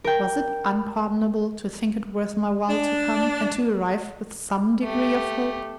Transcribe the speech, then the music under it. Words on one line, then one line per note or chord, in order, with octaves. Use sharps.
Was it unpardonable to think it worth my while to come? and to arrive with some degree of hope?
A#4 G5
D4
A3 G4